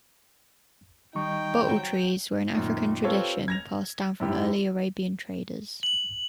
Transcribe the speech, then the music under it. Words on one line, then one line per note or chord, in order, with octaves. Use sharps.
Bottle trees were an African tradition, passed down from early Arabian traders.
D#3 G3 D#4 G5 C#6
F#3 C4
F#2 A#2 D#3
C4 F4 G4 A4 B4 C#5
G#6 A#6 F7
F#2 E4 G4
F#7